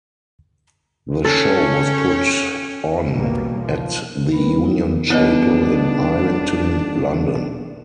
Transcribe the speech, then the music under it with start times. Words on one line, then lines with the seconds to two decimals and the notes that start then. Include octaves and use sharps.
The show was put on at the Union Chapel in Islington, London.
1.25 C#4 G4 A4 C#5
3.13 B1 E2 B2 G3 A#3
3.62 F3
4.32 G3 B3 C#4 A#4 B4 B5
4.64 G3 D#4 E4 A#4
5.10 D#1 B3 D4 E4 C#5 D#5